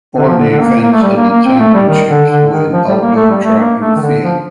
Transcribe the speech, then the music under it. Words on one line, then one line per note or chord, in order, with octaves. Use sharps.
All the events at the championships were in outdoor track and field.
D3
F3
D3
D3
A#3
A#3
A3
G3
A#3
A#3
C4
A3
G3
D#3
D3
D3
D#3
F3
G3
A#3
A3
G3
A3
A#3
A3
D#3
D3
F3